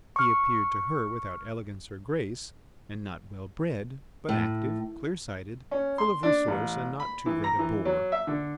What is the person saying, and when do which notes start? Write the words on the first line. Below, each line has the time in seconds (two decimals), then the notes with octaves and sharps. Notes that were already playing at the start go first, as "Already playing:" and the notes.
He appeared to her without elegance or grace, and not well bred, but active, clear-sighted, full of resource, and not too great a bore.
0.16 C#6 F6
4.29 A2
5.71 C#4
5.98 C6
6.23 D4
6.48 A1
7.00 B5
7.26 E3
7.44 A#5
7.59 E3
7.85 F#3
8.12 E5
8.27 D3